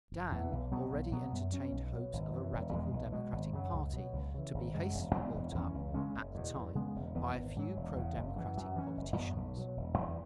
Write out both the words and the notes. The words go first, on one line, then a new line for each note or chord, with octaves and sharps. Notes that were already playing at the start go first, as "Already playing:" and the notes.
Dan already entertained hopes of a radical-democratic party to be hastily built up, at the time, by a few pro-democratic politicians.
F#1
E2 E3
B1
B2 F#3 B3
B1
B2 F#3 B3
F#2
F#3 C#4
B1
B2 F#3
G#1
F#2 E3
E1
E2 B2 G#3
B1
B2 G#3
G#1
F#2 C#3 F#3
C#2
B2 F#3
C#2
C#3 E3
G#1
F#2 C#3 G#3
E1
E2 E3 G#3
E1
E2 E3 C#4
C#2
C#3 G#3 C#4
F#1
E2 B2
E2
C#3 G#3 B3
E1
E2 E3 B3
G#1
G#2 F#3
E1
E2 C#3
F#1
F#2 E3
F#2
E3 C#4
F#1
F#2 F#3 B3
B1
B2 F#3
E1
E2 E3